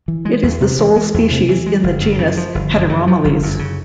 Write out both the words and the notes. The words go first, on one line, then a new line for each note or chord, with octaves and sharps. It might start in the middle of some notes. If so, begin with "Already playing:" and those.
It is the sole species in the genus Heteromeles.
E3
G#3
E2
C3
E3
G#3
E2
C3
E3
G#3
G1
F#2
C#3
F3
G1
F#2
C#3
F3
G1
F#2
C#3